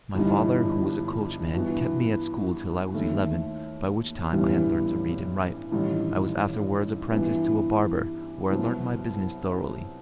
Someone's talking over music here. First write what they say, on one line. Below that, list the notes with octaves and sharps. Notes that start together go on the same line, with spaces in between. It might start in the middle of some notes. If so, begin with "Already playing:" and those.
My father, who was a coachman, kept me at school till I was eleven, by which time I had learnt to read and write; I was afterwards apprenticed to a barber, where I learnt my business thoroughly.
G1 G2 E3 G3 D#4
G2 E3 B3 F#4
D#2 D#3 A3
A1 G2 E3 G3 B3
A1 G2 D#3 G3 D#4
G2 E3 B3
C2 C3 F#3 B3